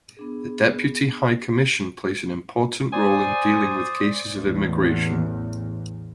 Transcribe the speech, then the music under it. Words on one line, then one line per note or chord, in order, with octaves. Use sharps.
The Deputy High Commission plays an important role in dealing with cases of immigration.
B3 D4 G#4
C5 D5 G#5 D#6
A1 E2